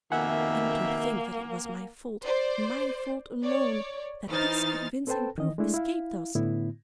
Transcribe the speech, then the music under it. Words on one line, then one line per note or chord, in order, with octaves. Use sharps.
And to think that it was my fault, my fault alone, that this convincing proof escaped us!
F2 B2 D#3 A#3 E5 F#5 G#5
C5 D5
C#5 D5
E3 D#4 C5 F6 A6
C4 A4 B4 C5 G5 A5
D#3 E3 D#5
G#3 A3 D4 E4
E4 F5
A2 D3 B3 E4